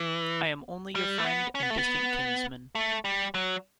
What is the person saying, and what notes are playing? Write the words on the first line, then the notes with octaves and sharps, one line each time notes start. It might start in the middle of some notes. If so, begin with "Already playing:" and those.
I am only your friend and distant kinsman.
Already playing: E3
G3
A3
B3
C#4
B3
A3
B3
A3
G3
F#3